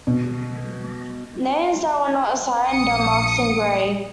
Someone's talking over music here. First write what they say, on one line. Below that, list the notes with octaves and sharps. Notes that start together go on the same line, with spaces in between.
Names that were not assigned are marked in gray.
B2
A#1 D#6 C#7